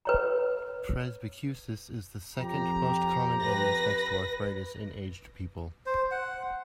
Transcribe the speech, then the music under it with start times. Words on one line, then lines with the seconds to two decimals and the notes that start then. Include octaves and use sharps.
Presbycusis is the second most common illness next to arthritis in aged people.
0.05 B4 C#5 A#5
2.37 F2 G4 A#5
3.42 B4 A#6
5.86 C5
6.11 F#5